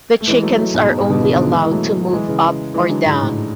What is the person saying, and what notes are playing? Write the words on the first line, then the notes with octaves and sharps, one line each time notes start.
The chickens are only allowed to move up or down.
A3
E3 G#3
F#3 A3
F#3 A3
G#2 B2
G#2 B2
G#2 B2
B2 D3
C#3 E3
D3 F#3
E3 G#3
E3 G#3
F#3 A3
F#3
E3 G#3
C#3 E3
E3 G#3
D3 F#3
G#2
A2